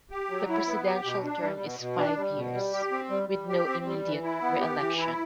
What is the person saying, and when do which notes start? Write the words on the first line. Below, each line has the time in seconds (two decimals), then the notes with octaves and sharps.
The presidential term is five years, with no immediate reelection.
0.11 G4
0.30 F#3
0.49 E4
0.67 B3
0.85 G4
1.05 B2
1.24 D4
1.42 G3
1.61 B2
1.79 B2
1.98 D4
2.17 G3
2.35 B2
2.54 G3
2.73 G4
2.91 C4
3.10 G3
3.29 G3
3.48 G4
3.67 C4
3.85 G3
4.04 E3
4.23 E4
4.42 B3
4.60 G4
4.78 E3
4.97 E4